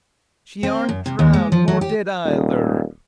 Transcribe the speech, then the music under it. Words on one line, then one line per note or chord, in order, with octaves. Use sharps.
She arn't drowned; nor dead eyther!
C4
F#2
C3
D#2
G#3
F3
F#3
G4
D#1